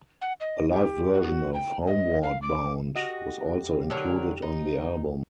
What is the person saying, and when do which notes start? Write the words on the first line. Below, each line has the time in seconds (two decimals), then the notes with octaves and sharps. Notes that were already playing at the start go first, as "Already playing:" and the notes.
A live version of "Homeward Bound" was also included on the album.
0.21 F#5
0.40 D#5
0.72 G4
1.14 F#4
1.54 G5
1.87 D#5
2.23 F5
2.42 D6
2.95 F#4 G4 D#5
3.90 D3 F#3 A#4
4.42 D#4